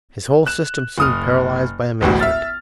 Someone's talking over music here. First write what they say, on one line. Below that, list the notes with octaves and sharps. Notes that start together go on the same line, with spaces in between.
His whole system seemed paralyzed by amazement.
F#6 E7
F#1 D#6 F6
E1 A1 D2 F#4
E5 F6 A6